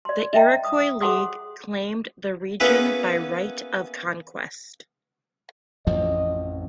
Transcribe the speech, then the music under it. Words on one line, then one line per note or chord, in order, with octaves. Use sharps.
The Iroquois League claimed the region by right of conquest.
D5 C6
D#5 E5 G5 A#5
D#6
G#4 C5 F#5 C6 D#6
A#3 B3 C#4 E4 G#4 B4
A1 F2 F3 D#5